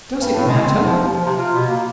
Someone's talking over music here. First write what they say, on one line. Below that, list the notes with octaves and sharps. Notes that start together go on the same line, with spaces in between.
"Does it matter?"
G2
A2
G#3
C4
E2
F3
D#2
F3
C3
F4
B2
A#3